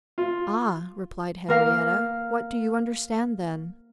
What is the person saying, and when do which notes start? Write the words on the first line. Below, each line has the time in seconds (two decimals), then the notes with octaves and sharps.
"Ah!" replied Henrietta, "what do you understand, then?"
0.18 F4
1.48 A#3 A#4 F5